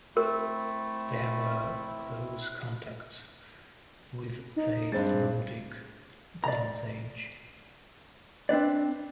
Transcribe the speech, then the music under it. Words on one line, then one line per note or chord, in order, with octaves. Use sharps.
There were close contacts with the Nordic Bronze Age.
A3 C4 E4 A#4
D#4
G2 G#3 C4 A6
D5 A#5
C4 D4 B4 D5